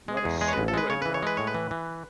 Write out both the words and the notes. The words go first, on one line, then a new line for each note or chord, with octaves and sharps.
Not a single raindrop!
G#3
G#4
E2
G#3 G#4
C#5
A1 B4
A4
G#3 B4
C#3 C#5
E3 B4
C#5
G#3 B4
A2 C#5
B4
E3
E3